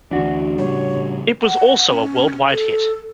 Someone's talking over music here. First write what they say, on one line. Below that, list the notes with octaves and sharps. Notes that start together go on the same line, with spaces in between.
It was also a worldwide hit.
D2 E3 D4 F#4
A2 C#3 G3 C#5
F#5
C#4
A4